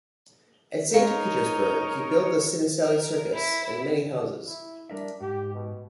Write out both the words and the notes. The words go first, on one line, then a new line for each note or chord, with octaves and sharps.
At Saint Petersburg he built the Ciniselli Circus and many houses.
G#3 D#4 A#4 C#5 F5
A#4
E4
E4
G3 D4 A#4 E5
G#2 G4
B2